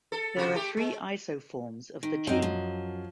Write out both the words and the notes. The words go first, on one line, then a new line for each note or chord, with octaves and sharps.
There are three isoforms of the gene.
A4
C3 F#4
A3 G4
G#3
D#3
F#2 C4 D#4 D#5
F3